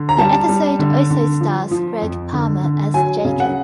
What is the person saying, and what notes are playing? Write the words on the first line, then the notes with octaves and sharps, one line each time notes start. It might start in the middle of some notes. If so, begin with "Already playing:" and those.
The episode also stars Gregg Palmer as Jacob.
Already playing: D3
A#5
G3 A5
G3
D3
D3
F3
F3
F2
D3
D3
F#3 G#5
C#3
F#5